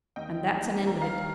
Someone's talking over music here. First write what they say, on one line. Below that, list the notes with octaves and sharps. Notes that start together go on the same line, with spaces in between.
And that's an end of it.
D#2 D#5 G5
D#3 G3 A#3
D#2 A#5
F5 A#5